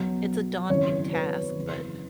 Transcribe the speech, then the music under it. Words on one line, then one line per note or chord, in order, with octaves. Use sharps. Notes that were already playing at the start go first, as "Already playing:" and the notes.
it's a daunting task, but
Already playing: B1 B2 F#3
G#1 F#2 C#3 E3 C#5
B4
F#1 E2 C#3 E3